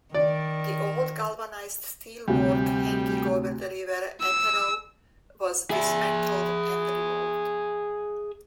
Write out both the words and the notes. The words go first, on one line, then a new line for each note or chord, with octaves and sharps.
The old galvanised steelwork hanging over the River Etherow was dismantled and removed.
D#3 D5
D2 C3 G3
E6
G#4 E5